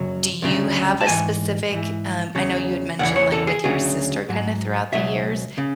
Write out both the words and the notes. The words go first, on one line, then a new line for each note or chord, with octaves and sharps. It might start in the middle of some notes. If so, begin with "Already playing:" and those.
do you have a specific, um I know you had mentioned, like, with your sister kinda throughout the years,
Already playing: F#2 C#3 F#3
D2 C#3 F#3
A5
G#2 E3 G#5
G#2 E3
E2 C#3 F#3
E2 C#3 E3 F#5
C#5
A4
G#4
D2 C#3 F#3 G#4
G#2 F#3
C#2 B2 F#3 E5
C#3